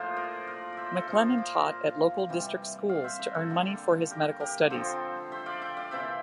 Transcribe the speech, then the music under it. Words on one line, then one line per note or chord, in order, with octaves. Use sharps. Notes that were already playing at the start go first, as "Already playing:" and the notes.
MacLennan taught at local district schools to earn money for his medical studies.
Already playing: A2 F3 A#3 F4 C5
A#4 D5
A#4 D5
C5 D5 E5
A4
A#2 F3 A#3 F4 A#4
C5
A#4 D5
C3 E3 G3
D5 F5
C5 E5
A#4 D5
A4 C5
D3 G3 A#3
G4 A#4
G4 A#4
D3 F3 C4 A4 C5
C5 E5
D5 F5
E5 G5
D5 F5
C3 E3 A#3 E4 C5 E5